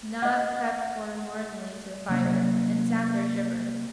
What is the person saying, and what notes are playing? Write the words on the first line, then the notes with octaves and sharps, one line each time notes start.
Nod crept forlornly to the fire, and sat there shivering.
D#5 F#5
C3 F#3 A#3 C#4